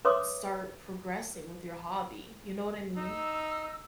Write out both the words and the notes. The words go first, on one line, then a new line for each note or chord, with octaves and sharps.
start progressing with your hobby, you know what I mean?
B4 C#5 E5 C6 D6 D#6
D#4 E6